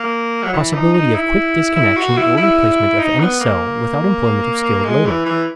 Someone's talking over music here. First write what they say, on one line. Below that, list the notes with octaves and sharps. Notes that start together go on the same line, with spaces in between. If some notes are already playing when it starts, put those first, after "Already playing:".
Possibility of quick disconnection or replacement of any cell without employment of skilled labor.
Already playing: A#3
F#3
E3
D#4
D#4
E4
E4
F#4
E4
E4
D#4
B3
A#3
G#3
E3
E3